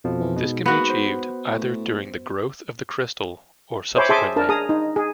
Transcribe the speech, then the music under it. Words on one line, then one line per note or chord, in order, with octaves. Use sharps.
This can be achieved either during the growth of the crystal, or subsequently.
F2 B2 F3
E3
G#2 B2
A#3 B3 F#4
C5
A2
C5 C#5 E5 G#5 B5 D6
G#4 E5 G#5 A5 C6 D6
D4 A#4 A5
G#4 A#5 D#6
D#4
G#4